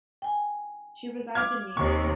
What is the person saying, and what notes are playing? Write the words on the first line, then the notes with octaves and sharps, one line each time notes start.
She resides in New York.
G5 G#5
F5 D6 F6 G#6
D#2 C3 C#6